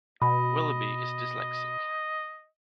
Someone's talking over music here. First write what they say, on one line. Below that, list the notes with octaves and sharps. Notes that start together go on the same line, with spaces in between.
Willoughby is dyslexic.
B2 D#5 B5